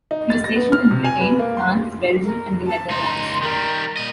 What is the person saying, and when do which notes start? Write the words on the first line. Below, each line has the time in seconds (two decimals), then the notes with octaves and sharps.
He was stationed in Britain, France, Belgium and the Netherlands.
0.11 D#4
0.30 A6
0.44 A#6
0.56 B3
0.72 F6
0.91 C3
1.05 G#5
1.21 B4
1.39 A#3
1.57 C6
2.24 A#4
2.67 A5
2.90 C#2 D#4 C6
3.42 D#3 G3 A#4
3.97 A#2 D#5